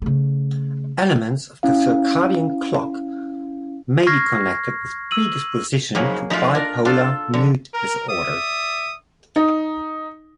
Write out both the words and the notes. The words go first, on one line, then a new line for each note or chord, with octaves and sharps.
Elements of the circadian clock may be connected with predisposition to bipolar mood disorder.
C#3 A3
C#4 E4 F5
C#6 F6 G#6 A#6 C7
E6 D#7 F#7
F2 G#2 C#3 F#3 A#3 G#4
F3 A3 D#4 F4
D4 A#4
D4 F4 A4
D3 F3
A#4
D5 E5 D#6
D#4